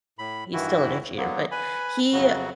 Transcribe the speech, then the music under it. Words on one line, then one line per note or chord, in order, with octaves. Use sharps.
He's still an engineer, but he
A2 B5
G2 D#3 E3 E4 F#4
D3 F#3 A#3 B3
B4 G#5 B5
F2 C#3 F#3 F#4